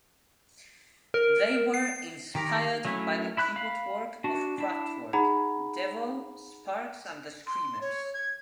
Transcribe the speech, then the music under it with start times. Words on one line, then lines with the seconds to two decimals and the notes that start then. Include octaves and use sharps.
They were inspired by the keyboard work of Kraftwerk, Devo, Sparks and The Screamers.
1.14 A#4
1.74 C7
2.35 D#3 G4 A#4
2.85 F#3 A3 C#4 E4
3.37 E4 B5 F#6
3.56 F5 B5
4.24 D4 F#4
4.58 D4 E4
5.13 D#4 G#4 F#5 A#5 B5
7.47 C6
7.81 C#5
8.14 G#6